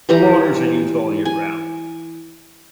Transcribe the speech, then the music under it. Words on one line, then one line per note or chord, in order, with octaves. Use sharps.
The waters are used all year round.
E3 G3 G4 A#5
G#5